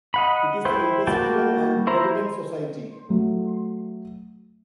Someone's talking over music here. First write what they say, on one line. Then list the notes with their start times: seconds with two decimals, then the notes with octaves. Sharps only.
It is an industrial and provident society.
0.14 D#5 F#5 B5
0.65 E4 B4 C5 G5
1.07 G3 A#3 F#4 G5 A5
1.87 E4 C5 A#5
3.09 F#3 A3